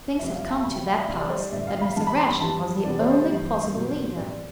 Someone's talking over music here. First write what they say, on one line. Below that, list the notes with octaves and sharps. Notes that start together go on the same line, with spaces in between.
Things had come to that pass that Mr. Gresham was the only possible leader.
F2 C3 G3 C4 E5
F5
A5
D2 C3 E3 B5
G5
F5
E5
C2 C3 G3 D5
D5
C5
D5
A1 G2 D3 A3 E5
F5
B5
G2 E3 B3 A5
B5
C6
B5
F2 E3 G3 A5
F2 C3 E3 G3 B3 D5
C5
C5
G2 E3 G3
B1 B2 B3
A1 A2 E3 G3 C4 D5